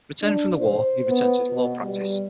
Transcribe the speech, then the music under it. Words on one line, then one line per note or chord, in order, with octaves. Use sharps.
Returning from the war, he returned to his law practice.
D4
C5
B3
B2
G3